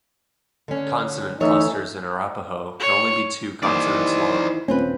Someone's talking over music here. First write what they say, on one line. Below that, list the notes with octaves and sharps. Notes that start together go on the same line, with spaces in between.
Consonant clusters in Arapaho can only be two consonants long.
D3 C#4
D2 E3 C#4 D#4 A4 C#5 E5
C#5
D#2 E3 D#4 C5 D5
D#1 C4 C#4 F4 B4